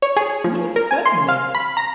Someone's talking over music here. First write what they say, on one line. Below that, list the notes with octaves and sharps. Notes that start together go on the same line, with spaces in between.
"Yes, certainly."
C#5
G#4
F3
A#4
G#5
C6
F5
B5
A#5